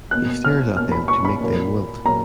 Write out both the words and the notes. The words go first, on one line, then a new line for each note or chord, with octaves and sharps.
He stares at them to make them wilt.
B2 A#3 F#6
F6
B2 A#3 F6
B5
C#6
B5
A#2 F#3 A#3
A#2 F#3 A#3 A#5